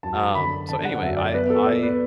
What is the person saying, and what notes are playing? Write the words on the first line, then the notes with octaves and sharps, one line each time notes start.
Um, so anyway, I I
F#2 A5
D3 B5
D3 A5
F#5
F#2 E5
D5
B3 B4
A4
B3 D5
B4